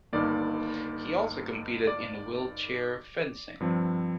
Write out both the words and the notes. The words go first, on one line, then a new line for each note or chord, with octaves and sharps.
He also competed in wheelchair fencing.
G1 G2 D#3 A#3 D5
D5
G2 F3 C4